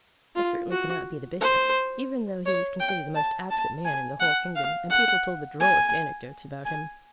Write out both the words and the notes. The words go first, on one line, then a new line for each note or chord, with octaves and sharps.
It certainly could not be the Bishop; even though he was considered the most absent man in the whole kingdom, and people told the drollest anecdotes about him.
F4
F#4
C5
C#5
G5
A5
A5
G#5
F#5
F5
F#5
G#5
G#5